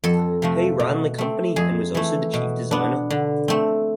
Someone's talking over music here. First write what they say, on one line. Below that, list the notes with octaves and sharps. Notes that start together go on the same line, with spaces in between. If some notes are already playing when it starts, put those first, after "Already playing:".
He ran the company and was also the chief designer.
F2 A4
C3 F3 A3
B2
A3 C4
F2 G#4
E3 A3
B2
B3 D4
D3
A3 C4